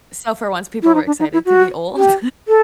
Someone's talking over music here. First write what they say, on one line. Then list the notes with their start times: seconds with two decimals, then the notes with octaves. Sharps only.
So, for once, people were excited to be old?
0.83 E4
0.95 D#4
1.07 D4
1.20 D#4
1.33 E4
1.46 F#4
1.97 G4
2.48 A4